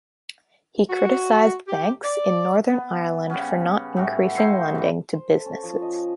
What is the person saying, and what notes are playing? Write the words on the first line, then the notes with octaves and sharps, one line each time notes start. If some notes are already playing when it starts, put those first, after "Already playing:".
He criticised banks in Northern Ireland for not increasing lending to businesses.
F#4
G4
D5
B3
C#3 G3 B3 C#4
A2 G3 F#4
D#4 E4 C6 C#6
G2 E3
C5
A4
C#4
F3
D#5